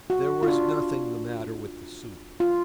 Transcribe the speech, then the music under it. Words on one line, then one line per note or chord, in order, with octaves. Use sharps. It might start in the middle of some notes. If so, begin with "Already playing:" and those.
There was nothing the matter with the soup.
F#4
F4
D4
F4